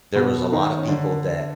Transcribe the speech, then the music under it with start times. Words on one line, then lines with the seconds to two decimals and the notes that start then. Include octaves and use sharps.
there was a lot of people that
0.15 B2 B3
0.52 D#3 D#4
0.78 C#4
0.88 D3 D4